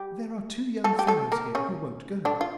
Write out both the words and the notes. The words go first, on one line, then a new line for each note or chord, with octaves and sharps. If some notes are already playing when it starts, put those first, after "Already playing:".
"There are two young fellows here who won't go."
Already playing: G3 G4
A3 A4
G4
A3 A4
A#3 A#4
C#3 C#4
D3 D4
F4